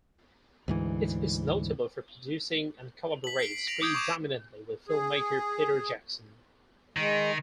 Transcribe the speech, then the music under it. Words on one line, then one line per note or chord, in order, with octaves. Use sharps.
It is notable for producing and collaborates predominantly with filmmaker Peter Jackson.
D2 G#2 E3
B6 F#7
C7 D7
C7
A#6 D7 F7
D6 D#6 G6 G#6 D7
C#6 D6 E7
G#4
D#3 G#3